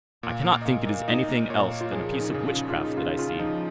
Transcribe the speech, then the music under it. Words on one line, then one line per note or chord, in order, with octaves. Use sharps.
I cannot think it is anything else than a piece of witchcraft that I see.
A#2
A#3
D#5
A#2 F5
A#2
D#4 D#5
A#3
A#2 C#5
A#3
F4
F3 G#4
C#3
D#4
C#3
F4
C#3
F4
C#3 D#4
C#3 F4
C#3 F4
F3 D#4